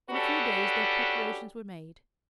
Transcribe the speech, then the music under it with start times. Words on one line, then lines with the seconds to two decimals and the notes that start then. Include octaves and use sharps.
In a few days their preparations were made.
0.10 C#4 D4 F#4 G4 A4 B4